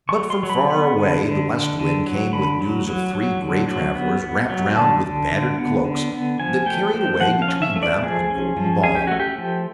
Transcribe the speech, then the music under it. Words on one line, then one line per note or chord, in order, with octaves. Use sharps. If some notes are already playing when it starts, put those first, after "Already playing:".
But from far away the West Wind came with news of three grey travellers wrapt round with battered cloaks that carried away between them a golden ball.
C#6
F#3
C6
F#3
B5
B3 B5
D3
D3
D3
D3
F#3
D3 B5
F#3
F#3
F#3
D3
F#3
B3
B3
F#3
D3 A5
D3
D3
B3
D3
B3
F3 G#5
A3 G5
F3 G5
F3 F#5
F5
C#4
E5
A3
D5
F3 G#4
C#4
F3
C#4 G#4
G4
A3 F#4
G4
F3